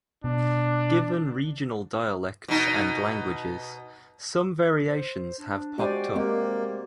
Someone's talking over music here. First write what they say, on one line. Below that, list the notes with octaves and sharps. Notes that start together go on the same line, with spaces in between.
Given regional dialects and languages, some variations have popped up.
B2 D4
B2 D#4
C5
D4
G#3 F#4 G4 C5 D5 G5 G#5
G#3 A#3 C4 G4